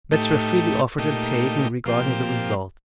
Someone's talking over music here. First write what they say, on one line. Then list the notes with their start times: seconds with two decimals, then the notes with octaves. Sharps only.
Bets were freely offered and taken regarding the result.
0.12 A2 A3 D#4 G4
0.98 A#2 A3 D#4 G4
1.86 A#2 F3 C4 G4